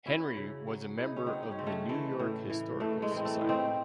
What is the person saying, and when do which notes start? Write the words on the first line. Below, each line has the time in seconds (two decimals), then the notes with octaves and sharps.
Henry was a member of the New-York Historical Society.
0.06 F#3 C#4 E4
0.37 C#3
0.67 F#3
0.97 C#3 E4
1.06 D#4
1.16 C#4
1.26 F#3 C4 D#4
1.43 D#4
1.51 C#4
1.59 C#3 C4
1.67 A3 C#4
1.89 E3 A3
2.19 A2
2.50 E3
2.80 A2 A3
3.02 G#3
3.11 E3
3.16 C4
3.25 A3
3.41 A2
3.49 C4 D#4